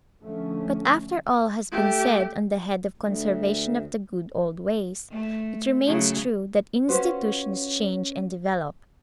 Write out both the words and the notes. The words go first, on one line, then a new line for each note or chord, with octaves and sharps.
But after all has been said on the head of conservation of the good old ways, it remains true that institutions change and develop.
D3 F3 A3 C#4
A3 G4
D2
A3
C#3 F#3 A3
C#4 F4 F#4 B4 C5